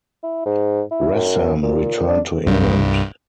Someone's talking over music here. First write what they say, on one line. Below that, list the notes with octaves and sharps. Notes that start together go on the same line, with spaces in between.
Rassam returned to England.
E4
G#2
E4
F#2
A#2
D4
C2 G2